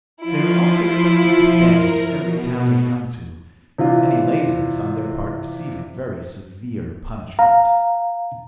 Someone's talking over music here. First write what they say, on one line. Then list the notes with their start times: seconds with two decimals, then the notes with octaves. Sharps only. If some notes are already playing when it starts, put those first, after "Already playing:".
They are also expected to beg in every town they come to, any laziness on their part receiving very severe punishment.
0.21 F3 E4 F4
1.62 A#4
2.15 B2
3.78 C3 E3 D4 F4
7.39 F5 A#5